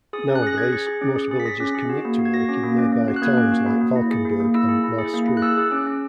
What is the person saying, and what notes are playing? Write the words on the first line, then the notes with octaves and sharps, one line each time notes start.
Nowadays, most villagers commute to work in nearby towns like Valkenburg and Maastricht.
G#4 D#6
C#4
F#6
G#4 A#6
G#4 G#6
G#4
G#4
C#4
G#4
G#4
B6
G#4 A#6
C#4
G#4
F#4
A#3
F#4
G#6
F#4 A#6
C#4
A#3
C#4
C#4
F#4
F#6
A#3 G#6
C#4
F#4
A#3
A#3
E4
G#4
A#3
A#3
E4 E6
G#4
E4
G#4
A#3
E4
F#6
G#4 E6
G#4
C#4
C#4